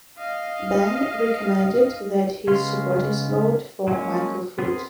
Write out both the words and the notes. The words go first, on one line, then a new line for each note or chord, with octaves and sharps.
Benn recommended that his supporters vote for Michael Foot.
D#5 F5
C#3 G#3 B3 F5 C6
F#3 G#3 A#3 C#4
B3 C4 G#4 A#4 C6